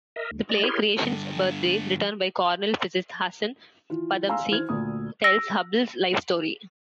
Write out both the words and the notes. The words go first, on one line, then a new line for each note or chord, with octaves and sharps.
The play "Creation's Birthday", written by Cornell physicist Hasan Padamsee, tells Hubble's life story.
A#4 D#5 E5
D2
G#3 D5 A#6
E4 G4 G#4 A#4 C#5 C6
G2 D3
E3 F4
F5 G#5 A#5 C6 E6
E3 C5 F6 G#6
D2 A#2 D#6
E6 A#6 C7 D7